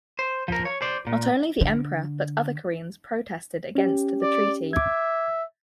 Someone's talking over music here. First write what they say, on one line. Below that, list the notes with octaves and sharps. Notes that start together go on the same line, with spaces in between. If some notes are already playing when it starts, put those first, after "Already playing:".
Not only the Emperor but other Koreans protested against the Treaty.
C5
F3 A#4
C#5
C5 D5
A#2
D3
C#4 G4
D5
E5 D6 G#6